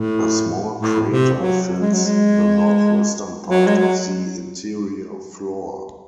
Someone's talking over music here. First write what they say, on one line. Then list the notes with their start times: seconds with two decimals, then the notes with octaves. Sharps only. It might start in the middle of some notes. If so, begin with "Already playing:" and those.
A small crater fills the northwestern part of the interior floor.
Already playing: A2
0.79 A2
1.09 C3
1.39 F#3
1.80 G#3
1.93 F#3
2.05 G#3
3.47 F#3
3.67 G#3
3.77 F#3